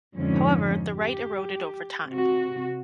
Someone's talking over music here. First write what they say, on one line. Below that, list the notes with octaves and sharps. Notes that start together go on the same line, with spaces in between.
However, the right eroded over time.
F2 G#2 D3 F3 C#4 D#4
G4
C3 F#4